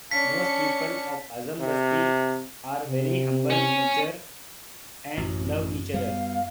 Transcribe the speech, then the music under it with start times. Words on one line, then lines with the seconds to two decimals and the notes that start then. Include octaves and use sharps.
Mostly People of Azam Basti are very humble Nature and love each other.
0.11 C#4 D4 F5 A5 B6 C#7
1.60 C3
2.86 C3
3.50 C#4
5.17 A1 F#2
5.94 G3 A3 B3 F5